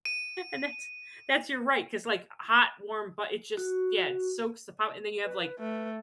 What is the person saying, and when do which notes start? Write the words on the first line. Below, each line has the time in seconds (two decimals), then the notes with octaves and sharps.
And that's that's you're right, 'cause like hot, warm bu it just, yeah, it soaks the po and then you have, like,
0.05 D#7
3.57 F#4
5.23 B4
5.59 A3 B4